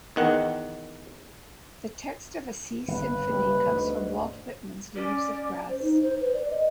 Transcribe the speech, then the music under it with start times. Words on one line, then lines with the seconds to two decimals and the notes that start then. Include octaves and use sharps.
The text of "A Sea Symphony" comes from Walt Whitman's "Leaves of Grass".
0.16 E2 D#3 F#5
2.88 G1 B4
3.30 F#1 G3
3.64 D2 G#2
4.96 C#4 D5
5.69 C5
5.82 D#4
6.02 C5
6.20 B4
6.34 D5
6.50 D#5